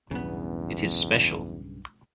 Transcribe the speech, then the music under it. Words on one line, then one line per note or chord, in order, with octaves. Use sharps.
It is special.
B1 E2 G2 C#3 B3